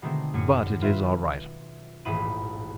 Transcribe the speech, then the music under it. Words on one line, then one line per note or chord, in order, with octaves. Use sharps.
But it is all right.
B2 D3 D#3 G#3 A3 C4
F#2 G#5 C#7
F4 B4 E5
D#1 A1 G#2 E4 B5 D#7